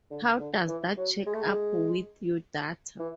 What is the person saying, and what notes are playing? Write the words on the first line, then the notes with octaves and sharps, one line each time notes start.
How does that check up with your data?
D3
D3
E3
F#3
G#3
A3
G#3
E3